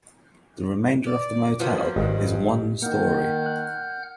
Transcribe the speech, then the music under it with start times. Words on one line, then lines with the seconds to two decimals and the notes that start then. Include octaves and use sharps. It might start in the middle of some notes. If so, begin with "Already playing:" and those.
The remainder of the motel is one story.
1.07 D5
1.60 D#3 F3 F#3 A#3 B3 C5
1.96 G#1 G2 G4 D#5
2.82 D#3 A#3 D#4 F#5 F6 G6
3.46 F#6